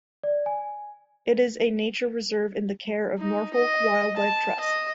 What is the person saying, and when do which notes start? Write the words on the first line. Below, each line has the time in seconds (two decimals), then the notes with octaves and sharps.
It is a nature reserve in the care of Norfolk Wildlife Trust.
0.23 D5
0.46 G#5
3.19 D#4
3.54 D#5
4.16 A5
4.60 D#5